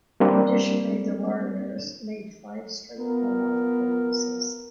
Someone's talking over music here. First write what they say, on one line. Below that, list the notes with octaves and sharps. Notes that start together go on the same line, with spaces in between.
Additionally, the Warriors made five straight playoff appearances.
G3 A#3 C4 D4
B3 F4 A#4